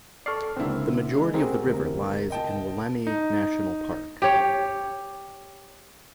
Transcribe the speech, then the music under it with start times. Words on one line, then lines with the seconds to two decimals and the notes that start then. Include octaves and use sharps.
The majority of the river lies in Wollemi National Park.
0.26 A4 D5 C#6 F6 C7
0.57 C#2 D3 A#3 C4 E4
1.16 G#3
1.34 G3 C4 F#4 G#4 A#4
1.67 D2 C3 A#4
2.30 D#5 G5 A5
3.07 D#4
4.22 G4 C#5